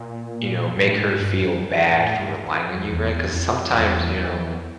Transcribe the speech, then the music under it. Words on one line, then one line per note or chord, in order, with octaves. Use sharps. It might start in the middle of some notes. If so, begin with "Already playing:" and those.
you know, make her feel bad for relying on you, right? 'Cause sometimes, you know
Already playing: A#2
A2
G#2
G2
F#2
G2
A2
G2
F2
E2
F2
E2
E2